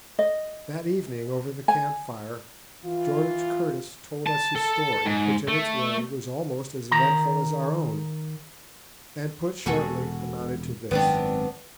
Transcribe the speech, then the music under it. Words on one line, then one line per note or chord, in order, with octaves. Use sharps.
That evening, over the camp fire, George Curtis told us his story, which, in its way, was almost as eventful as our own, and, put shortly, amounted to this.
D#5
G#5
E3 F4
A5
A4
G#2
A3
D#3 A#5
E1 F#4 G#4 A4
G#1 F#2 B3 C4 D4